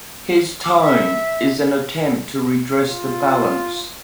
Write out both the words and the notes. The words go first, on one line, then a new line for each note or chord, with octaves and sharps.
His tome is an attempt to redress the balance.
D6
E5
F4